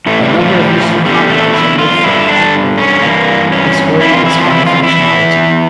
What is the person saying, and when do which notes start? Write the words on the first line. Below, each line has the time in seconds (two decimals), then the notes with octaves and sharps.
A number of useful compounds are made from acrolein, exploiting its bifunctionality.
0.06 A2 E3 A3
0.23 G3
0.39 F3
0.52 A3
0.56 G3
0.80 F3
1.05 E2 D3 G3
1.30 A3
1.54 E4
1.79 F4
2.04 G2 D3 E4
2.28 D4
2.78 C#4
3.02 G2 E3 A#3
3.52 C#4
4.00 F2 E3 E4
4.12 F4
4.25 E4
4.38 F3
4.44 D4
4.51 E4
4.66 F4
4.83 E4
4.99 E2 E3